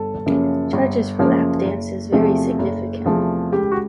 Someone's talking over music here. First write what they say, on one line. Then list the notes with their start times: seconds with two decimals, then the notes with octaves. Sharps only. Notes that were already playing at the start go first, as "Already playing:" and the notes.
Charges for lap dances vary significantly.
Already playing: G1 A4
0.26 F#2 C#3 F3 A#3
0.73 G1
1.19 F#2 C#3 F3 A#3
1.66 F#1
2.12 E2 C3 F3 A3
2.59 F#1
3.06 E2 C3 F3 A3
3.52 C#2 G4
3.72 F#4